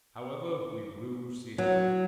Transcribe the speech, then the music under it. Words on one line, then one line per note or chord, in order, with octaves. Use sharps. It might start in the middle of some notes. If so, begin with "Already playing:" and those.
However, we will see it out.
F#3